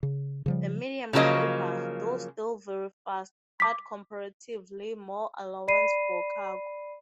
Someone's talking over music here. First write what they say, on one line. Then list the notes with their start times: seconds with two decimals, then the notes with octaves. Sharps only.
The medium clipper, though still very fast, had comparatively more allowance for cargo.
0.03 C#3
0.46 C#3 F3 G3
1.13 C#3 F3 F#3 A#3 D#5
3.60 D6 B6
5.68 D5 B5 C7 D#7